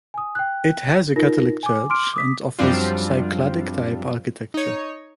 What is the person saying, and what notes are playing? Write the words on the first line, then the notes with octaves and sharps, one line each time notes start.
It has a Catholic church, and offers Cycladic type architecture.
G#5 D#6
G5 F#6
D#4 F4 A#4 A#6
G#5 D6
C6 D6 F6 D7
D6 D#6 B6
F#2 F3 G3 C4 D4 F4
D#4 C#5